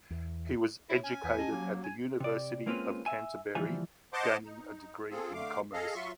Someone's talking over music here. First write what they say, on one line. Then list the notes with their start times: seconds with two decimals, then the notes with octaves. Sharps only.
He was educated at the University of Canterbury, gaining a degree in commerce.
0.11 E2
0.90 E4 C#5
1.04 C#4 G#5
1.24 E2 B4
1.38 C#4 G4 D#5 A5
1.51 F#3 A#3
1.84 G#5
2.20 C3 D5
2.66 G#3 A#3 C4 C#4 F4 B4
3.06 E5 G#5
3.55 D2 E3 F3 G3 G#5
4.13 C5 D#5 F#5 A5 C6 D6
4.46 D#4
5.11 C4 F4 G#4 A4
5.34 D3 A3 F5 D6
5.73 G#4 A4 D#5 F5
5.94 F#3 F4 E5 C6 C#6